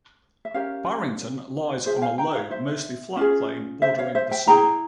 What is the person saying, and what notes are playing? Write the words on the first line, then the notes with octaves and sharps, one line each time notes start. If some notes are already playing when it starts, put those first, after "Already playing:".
Barrington lies on a low, mostly flat plain bordering the sea.
E5
C#4 G4 A#4 C#5 F5
F4 G#4 C5 E5
G5
F5 G#5
G5 A#5
C#5 F5
C5 E5
C#4 F4 G#4
C5 E5
C#5 F5
C5 E5
E5 G5
E4 G#4 G5 A#5